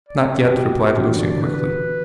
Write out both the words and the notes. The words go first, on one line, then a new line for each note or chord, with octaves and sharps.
"Not yet," replied Lucian quickly.
D5
C#5
C#5
G4
F#4
B3
G4
F#4
D4
E3
D3 D5
D5
D3
B4
B4